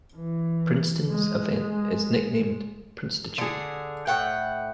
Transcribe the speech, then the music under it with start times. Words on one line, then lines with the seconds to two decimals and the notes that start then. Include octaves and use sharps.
Princeton's event is nicknamed Princetitute.
0.16 E3
1.09 G#3
3.38 D3 G#4
4.07 A2 F#5 G5